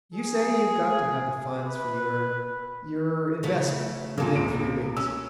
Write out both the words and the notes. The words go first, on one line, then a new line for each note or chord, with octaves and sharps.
You say you've got to have the funds for your--your investment within three weeks.
G#4
B4
C#3 A3 B3
A#2 C#3 A#3 A4
E1 C#2 D7
C#4 E6